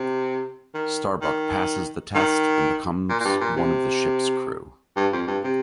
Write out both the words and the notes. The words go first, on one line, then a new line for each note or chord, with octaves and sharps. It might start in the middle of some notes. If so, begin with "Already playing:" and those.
Starbuck passes the test and becomes one of the Ship's crew.
Already playing: C3
D#3
D#3
D#3
A#2
A#2
G2
A#2
C3
G2
F2
G2
C3